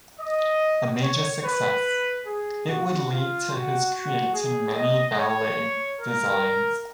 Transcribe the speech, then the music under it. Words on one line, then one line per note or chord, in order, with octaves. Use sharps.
A major success, it would lead to his creating many ballet designs.
D#5
C#5
B4
G#4
F#4
F4
F#4
F#4
G#4
D#5
C#5
A#4